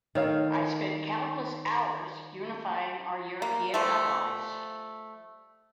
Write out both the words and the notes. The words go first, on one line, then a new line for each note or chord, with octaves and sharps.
I spent countless hours unifying our European allies.
D#3 A3 C#5 F5
A#3
F3 G3 A3